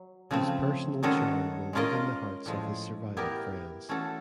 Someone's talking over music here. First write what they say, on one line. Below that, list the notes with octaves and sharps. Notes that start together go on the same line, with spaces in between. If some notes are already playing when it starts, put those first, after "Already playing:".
His personal charm will live in the hearts of his surviving friends.
Already playing: F#3
C#3 F3 A3 C4
D#3 G#3 C#4 F#4 A4
G#3 C#4 F4 A#4 D#5
A2 F3 G#3
B3 E4 G4 A#4
E3 A3 C#4 F#4 A4